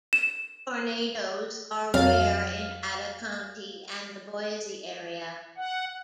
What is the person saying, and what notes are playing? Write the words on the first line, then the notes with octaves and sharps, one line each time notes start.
Tornadoes are rare in Ada County and the Boise area.
E7
F2 F#3 F5 A6
F#5